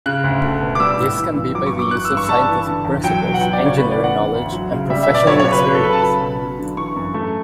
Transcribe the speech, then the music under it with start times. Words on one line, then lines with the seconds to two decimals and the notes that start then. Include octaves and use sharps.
This can be by the use of scientific principles, engineering knowledge, and professional experience.
0.06 C#3 F#6
0.24 D2
0.43 A3
0.61 B2
0.75 D6
0.80 G3 E6
0.98 A2
1.17 E3
1.36 G2
1.55 F#3 D6
1.66 C#6
1.73 G2
1.79 D6
1.91 E3 F#6
2.05 E6
2.11 G2
2.17 C#6
2.29 G3 A5
2.48 E3
2.66 D3
2.85 E2
3.04 F#3 G5
3.22 B2
3.34 F#5
3.41 F#3 G5
3.53 D5
3.60 C#3
3.66 C#5
3.78 B3 B4
3.91 D5
3.96 E3
4.04 F#5
4.16 D3
4.35 D2
4.52 F#3
4.71 C#3
4.90 G3 E5
5.03 E5
5.09 B2
5.14 D5
5.27 F#3 C#5
5.40 C#5
5.47 C#3
5.52 B4
5.64 F#3 B4
5.74 A4
5.84 C#3 B4
5.93 A5
6.02 F#3 B5
6.20 B2
6.39 F#3
6.59 D3
6.77 E3 C#6
6.96 F#2
7.14 A3